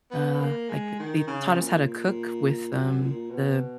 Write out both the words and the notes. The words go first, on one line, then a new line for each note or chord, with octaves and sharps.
uh like, they taught us how to cook with, um, the
B3
B3
A#3
G#3
D#3
C#3
A#2
F#2
A#2
B2